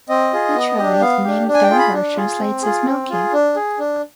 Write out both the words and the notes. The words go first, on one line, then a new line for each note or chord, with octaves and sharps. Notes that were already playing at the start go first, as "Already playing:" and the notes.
Literally the name of the river translates as Milky.
C4 D#5
F4 G#4
B3
D4 G4
B3 F5
D4 G4
D4
G#5
G5
F4 G#4
B5
D4
F4 G#4
C4
F4 G#4
C4
F4 G#4
D4
G#4
D4